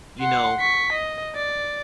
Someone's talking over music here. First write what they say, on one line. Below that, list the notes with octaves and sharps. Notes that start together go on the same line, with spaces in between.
you know,
F#5 C6
C#6 B6
D#5
D5